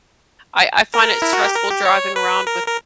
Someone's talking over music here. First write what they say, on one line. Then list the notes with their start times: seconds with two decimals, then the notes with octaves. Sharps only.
I I find it stressful driving around with
0.94 A#4
1.22 E4
1.33 F#4
1.44 G4
1.55 A#4
1.71 G4
1.85 C#5
2.16 B4
2.47 A#4
2.68 A#4